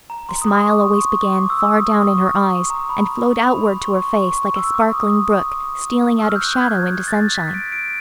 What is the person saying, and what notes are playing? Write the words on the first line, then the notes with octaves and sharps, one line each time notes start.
The smile always began far down in her eyes and flowed outward to her face like a sparkling brook stealing out of shadow into sunshine.
A#5
C6
D#6
D6
C#6
C#6
D6
E6
D#6
C#6
A#5
B5
B5
C6
C#6
C#6
C#6
E6
D6
D#6
E6
F6
G6
F#6
G#6
G#6
A6
B6
D7
D7